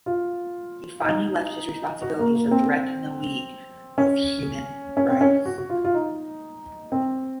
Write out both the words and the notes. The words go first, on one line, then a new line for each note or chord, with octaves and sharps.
He finally left his responsibilities of directing the League of Human Rights.
F4
D#4
F#4
A#3
A#3
A#3
C4
C#4
C#4
C4
C#4
F#4
F#4
F4
F4
D#4
C4